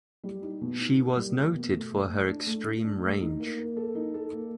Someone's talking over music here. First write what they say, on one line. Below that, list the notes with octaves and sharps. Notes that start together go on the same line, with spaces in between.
She was noted for her extreme range.
G3
D#4
B2
D#4
A#3
G3
A#3
B2
A3
A3
A3
D4
A3
A3
D4
A3
D#4
A#3
A#3
A4
D#4
A4
A#3